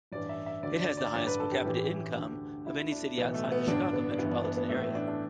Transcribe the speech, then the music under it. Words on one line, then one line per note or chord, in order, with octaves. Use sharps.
It has the highest per-capita income of any city outside the Chicago metropolitan area.
A1 G2 E3 D5
E5
E5
D2 D3 D5
D5
D5
A1 G2 D3 D5
B4
A4
G4
A1 A2 E3
D2 D3
D2 D3 E4
D4
B1 A2 E3 B3
A3
B3
A1 G2 D3 D4
B3
D4
G1 G2 E3 B3
D4
B3
B3
A1 A2 E3 A3
B3
D4
D4